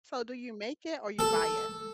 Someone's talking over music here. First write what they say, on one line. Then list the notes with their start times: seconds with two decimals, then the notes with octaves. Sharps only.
So do you make it or you buy it?
1.19 A4